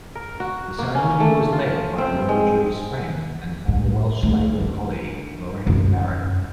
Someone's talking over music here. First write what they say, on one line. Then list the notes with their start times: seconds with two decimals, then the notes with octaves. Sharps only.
The ceremony was led by Rhodri's friend and former Welsh Labour colleague Lorraine Barrett.
0.15 A#4
0.40 F#4
0.78 A#3
0.95 C#4
1.20 A3
1.53 F4
1.98 C4
2.29 G#3
3.68 A2
4.23 A3
4.60 D4
5.67 F#2